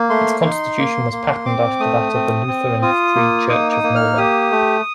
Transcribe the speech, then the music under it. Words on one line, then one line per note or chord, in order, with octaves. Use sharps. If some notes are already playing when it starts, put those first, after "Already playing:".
Its Constitution was patterned after that of the Lutheran Free Church of Norway.
Already playing: A#3
A3 C6
D#4
A#3
A#3
C4 D6
A3 D#6
C4
C4
F4 D#6
A#3
D#4 D#6
D#6
A#3
F6
G4 D#6
A3